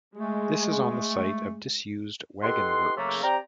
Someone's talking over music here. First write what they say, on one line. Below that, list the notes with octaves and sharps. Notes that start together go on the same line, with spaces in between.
This is on the site of disused wagon works.
G#3 A3
D#4 G4 A4 B4 F#5 C6
C#3 F#3 A3 A#3
C4 G4 D5 G5 A#5